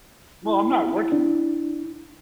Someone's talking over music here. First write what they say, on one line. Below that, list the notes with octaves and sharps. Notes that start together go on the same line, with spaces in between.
Well, I'm not working
E4
D4